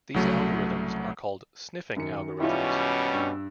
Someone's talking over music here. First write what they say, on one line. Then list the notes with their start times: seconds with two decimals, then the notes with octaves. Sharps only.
These algorithms are called sniffing algorithms.
0.14 C2 C#3 F#3 A3
1.96 F#2 D#3 C#7
2.40 B2 G3 C#4 E4 F4
3.13 G2 E6